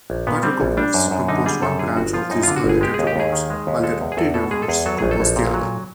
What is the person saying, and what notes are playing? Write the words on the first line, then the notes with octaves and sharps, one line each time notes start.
Batrachomorphs composed one branch of these early tetrapods, while the reptiliomorphs composed the other.
A#1
A#2 B3
G3 C4
A#1
G3 D4
F#2
F#2
D3 D#4
G3 G#4
F#2 A4
D3 G#4
G1 F#4
F3 F4
F#2 D#4
D3 F4
F#4
G1
G#4
G#3 G4
G#4
D#2
G4
D#2 G#4
D#3
G#3
D#2
G#3 A4
E2
G#4
E2 A4
B2 A4
G#3 G#4
A4
E2 G#4
F#3 A4
A#1 G#4
A4
A#1
A#2
F#3